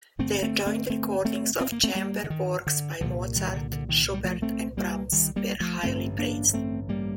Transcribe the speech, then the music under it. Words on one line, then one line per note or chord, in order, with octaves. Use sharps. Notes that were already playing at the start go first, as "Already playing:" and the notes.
Their joint recordings of chamber works by Mozart, Schubert and Brahms were highly praised.
G1 G2 D3 A3 C4
A3 C4
A3 C4
A3 C4
A3 C4
C4
A#3
A3 C4
G3 A#3
D3
D#3
D3
C2 A#2 D3 F3
D#3 G3
D3
D3
D#3
G3
F3 A3
A3 C4
G3 A#3
D#3 G3
G3 A#3
F3 A3
A1 G2 D3 A3 C4
A#3 D4
A3 C4
G3 A#3